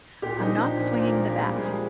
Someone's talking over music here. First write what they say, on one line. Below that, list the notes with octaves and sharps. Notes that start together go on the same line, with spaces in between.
I'm not swinging the bat.
A#2 G4
F3 D#4
D#4
F3 D4
A#2 C4
A#2 A#3
F3 A#3
F3 G#3
A#2 G3
G#3
F3